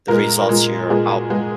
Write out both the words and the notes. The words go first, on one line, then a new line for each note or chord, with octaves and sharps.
the results you're out
A#2 G#3 A#4
A#2 G#3
A#2 G#3 G#4
F#4
A#2 G#3 G#4